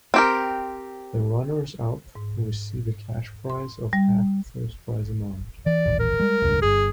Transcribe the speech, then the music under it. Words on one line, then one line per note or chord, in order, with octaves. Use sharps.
The runners up receive a cash prize of half the first prize amount.
C4 G4 A#4
G#2
C6
G3
E3 D5
D#1 A1
A#4
G3 G#3
E1 C#2 G2
G1 G2 G#4